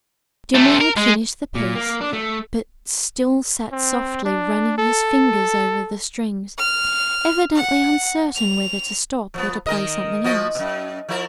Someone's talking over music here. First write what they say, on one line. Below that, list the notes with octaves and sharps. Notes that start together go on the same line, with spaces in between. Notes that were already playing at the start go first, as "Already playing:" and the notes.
Dimmler had finished the piece but still sat softly running his fingers over the strings, evidently uncertain whether to stop or to play something else.
C3 A3
A#4
G#3
A#2
A#3
D4
A3
C4
D4
A4
F6
F#5
F7
F3 B3
D#3 A#4 D#5
F3 F#4 D#5
F#2 B2
F3 E4 A#4